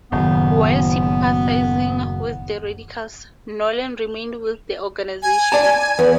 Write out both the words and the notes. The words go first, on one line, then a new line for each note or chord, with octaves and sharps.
While sympathizing with the radicals, Nolan remained with the organization.
F#1 A2 D#3 B3
G#5
D5 A5
E2 B4